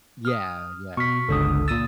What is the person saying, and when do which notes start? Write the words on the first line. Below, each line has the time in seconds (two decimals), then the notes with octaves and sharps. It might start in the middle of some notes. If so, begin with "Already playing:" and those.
Yeah, yeah.
0.25 D#6 F6
0.97 B2 C#6 F6 B6
1.29 G1 C#2 D3 A4 D#6
1.68 A#2 D#6 E6 A6